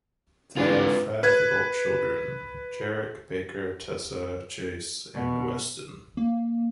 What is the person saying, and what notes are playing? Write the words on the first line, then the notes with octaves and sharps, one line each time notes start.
They have five adult children, Jarek, Baker, Tessa, Chase and Weston.
G#2 E3 C4 D4 F4 B4
B4 F#6 G#6
B2
A#3